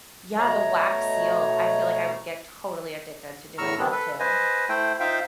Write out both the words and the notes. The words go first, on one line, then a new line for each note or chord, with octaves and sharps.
yeah, the wax seal, I feel like I would get totally addicted to doing that, too.
B2 A3 C#5 A#5
E2 A2 A#5 C#6 E6 F6
D#3 G3 B3 C4 D4
A4 B4
B4 C5 D#5 G#5
A3 E4 C5 G5
D#4 F4 C5 E5 F5 G5